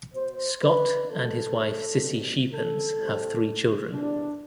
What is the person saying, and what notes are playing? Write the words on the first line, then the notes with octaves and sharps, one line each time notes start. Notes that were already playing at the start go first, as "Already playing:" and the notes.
Scott and his wife Cissy Schepens have three children.
B2 B3 C5
B4
D3 F3 B3 A4
B2 G3 C4
A4
A2 G3 C4
C3 E3 B3 D4